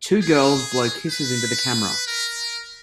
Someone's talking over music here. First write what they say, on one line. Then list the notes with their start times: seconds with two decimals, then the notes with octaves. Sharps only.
Two girls blow kisses into the camera.
0.22 G#4
1.10 B4
2.06 A#4